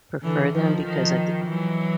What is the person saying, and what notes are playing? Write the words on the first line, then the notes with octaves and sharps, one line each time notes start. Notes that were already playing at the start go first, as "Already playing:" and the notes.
prefer them because I thi
D3 E3
D#3 F3
D#3 F3
E3 F#3